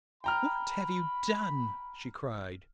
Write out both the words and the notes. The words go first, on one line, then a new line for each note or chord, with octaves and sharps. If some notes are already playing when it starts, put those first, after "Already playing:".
'What have you done?' she cried.
G5 A#5 B5 F6